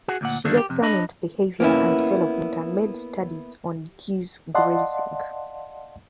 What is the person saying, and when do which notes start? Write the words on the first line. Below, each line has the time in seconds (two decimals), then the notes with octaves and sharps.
She examined behaviour and development and made studies on geese grazing.
0.08 F#4 G#4 F#5
0.21 D2 A#2 F#5
0.45 G2 D3 D#3 A3 A#3 D4
0.57 G4
0.70 F2 C3
0.82 D4 D#5 B5
1.60 A#3 B3 C#4 E4
4.55 D5 D#5 F5 F#5 A5 C6